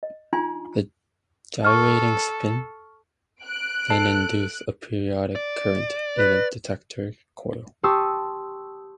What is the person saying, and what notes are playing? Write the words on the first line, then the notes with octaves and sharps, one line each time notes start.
The gyrating spins then induce a periodic current in a detector coil.
D#5
D4 D#4 F4 G#5 A#5 C6
A4 C#6 F6
F#6 D7
A4 A5 C7
D5
B4
G4 A5 C6 C#6 D#6 E6